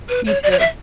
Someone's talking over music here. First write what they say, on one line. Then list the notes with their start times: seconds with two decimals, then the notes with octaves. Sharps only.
Me too.
0.09 B4
0.27 C#5
0.43 D5
0.52 C#5
0.59 E5